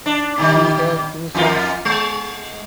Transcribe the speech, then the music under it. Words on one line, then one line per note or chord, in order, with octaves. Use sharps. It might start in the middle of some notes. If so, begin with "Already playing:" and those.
She had two sons.
D4
B2 D#3 G3
F2 F4 A#4
G#3